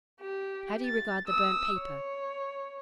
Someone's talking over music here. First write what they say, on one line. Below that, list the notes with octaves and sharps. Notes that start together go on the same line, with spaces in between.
How do you regard the burnt paper?
G4
A6
D#6 E6
C#5